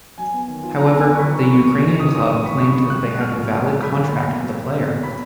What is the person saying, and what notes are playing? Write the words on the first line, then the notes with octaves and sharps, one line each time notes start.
However, the Ukrainian club claimed that they have a valid contract with the player.
F#3 G#5
B3
D#3
F4
F#3 A#5
B3
G#5
D#3
C#6
F4 B5
F3 C#6
A#3
F#2
D#4
F3 D#6
A#3 D#6
F#2 C#6
D#4 B5
C#3 C#6
F3
F#2 F#6
G#3
C#3 F6
F3
F#2
G#3
F#3 B5
A#3
B2
B2
F#3
A#3
B2
B2
B3 B5